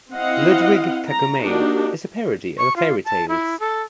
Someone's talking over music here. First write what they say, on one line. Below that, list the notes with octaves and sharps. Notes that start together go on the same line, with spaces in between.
"Ludwig Kakumei" is a parody of fairy tales.
C4 E4 D#5 F5 F#5
A#5
A#3 D4 D#4 F#4 G4
C#6
F4
A5
E4
A4